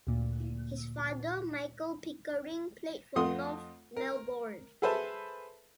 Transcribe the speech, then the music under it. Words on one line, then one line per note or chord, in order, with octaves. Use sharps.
His father, Michael Pickering, played for North Melbourne.
D2 A#2
F2 A3 F4 F#5 C6 D#6
A#4
G#4 A4 B4 C5 E5 A5